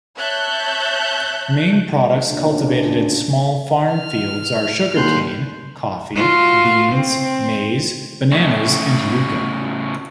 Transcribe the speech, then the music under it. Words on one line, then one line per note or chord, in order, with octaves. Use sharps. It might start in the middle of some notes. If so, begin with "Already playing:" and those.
Main products cultivated in small farmfields are sugarcane, coffee, beans, maize, bananas and yuca.
C#5 E5 A5 F#6 G6
D2 A#2 C#3 B3 C#4 D4
F6
D#2 C6 F#6 G6
F4 F#4
C4
A2 C#3